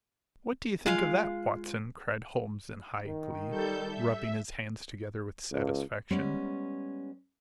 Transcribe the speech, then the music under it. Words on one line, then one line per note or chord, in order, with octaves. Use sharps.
"What do you think of that, Watson?" cried Holmes in high glee, rubbing his hands together with satisfaction.
G#3 F4 F5
D#3
G3 A4 G6
E5
C#2
G3 G#3 B3 C#4